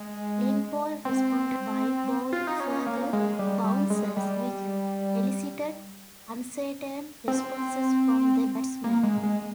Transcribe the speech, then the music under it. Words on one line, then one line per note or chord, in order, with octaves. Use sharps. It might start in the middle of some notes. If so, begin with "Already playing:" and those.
Lindwall responded by bowling further bouncers, which elicited uncertain responses from the batsman.
Already playing: G#3
C4
F4
D#4
C#4
A#3
G#3
G3
G3
G#3
G3
C4
A#3
G#3
G#3